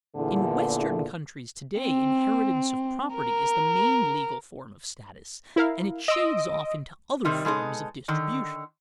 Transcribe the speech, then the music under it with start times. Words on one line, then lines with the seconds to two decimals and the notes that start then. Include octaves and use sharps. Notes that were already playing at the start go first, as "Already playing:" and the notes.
In western countries to-day inheritance of property is the main legal form of status and it shades off into other forms of distribution.
0.16 E2 A#2 D3
1.79 C4
3.16 A#4
5.56 E4 A#4 F5
6.08 D#5 C6 E6 D7
7.25 C3 D#3 G3 D#4
7.45 B2 G#3 D#4 A4
8.08 D3 D#3